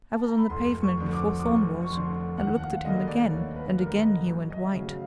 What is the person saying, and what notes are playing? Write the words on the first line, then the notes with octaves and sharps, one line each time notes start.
I was on the pavement before Thorn was, and looked at him again, and again he went white.
A5
A#5
B5
F1 C6
C#6
F2 D3
D6
D6
F1 C#6
C#6
F2 D3 C6
D#2 F#5
F#5
F5
D3 G3 A#3 D#5
D5
D#2 C#5
B4
D3 G3 A#3 A#4
D#5
F#2
D#5
E5
C#3 F#3
F5